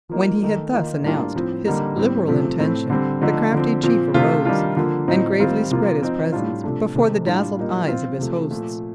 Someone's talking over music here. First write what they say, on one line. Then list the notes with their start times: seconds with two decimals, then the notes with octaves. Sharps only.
When he had thus announced his liberal intention, the crafty chief arose, and gravely spread his presents before the dazzled eyes of his hosts.
0.09 F3 A#3 D#4
0.41 D#3 A3 D#4
0.73 D#3 A#3 F4
1.03 A2 G3 A#3 D4 F4
1.34 A2 F3 C4
1.65 D3 G3 A#3 D#4
1.96 A2 G3 C4
2.28 C3 F3 A3 C4
2.59 A2 A3 C4
2.90 D3 G3 C4
3.21 D3 F3 A3 D#4
3.52 D3 F3 C4
3.83 A#2 F3 C4
4.14 C3 F3 A3 C4 F4
4.45 D#3 G3 D4 F4
4.77 D3 F3 A#3
5.08 A2 F3 C4 D#4
5.40 D#3 G3 C4 F4
5.71 C3 F3 A#3 F4
6.01 F3 C4 D#4
6.32 A2 G3 D4 F4
6.64 C3 F3 A3 D4
6.95 C3 D#3 A3 C4
7.26 A2 G3 D4 F4
7.57 A#2 G3 A#3 D#4
7.88 F3 C4 F4
8.19 C3 F3 A3
8.51 A#2 F3 A3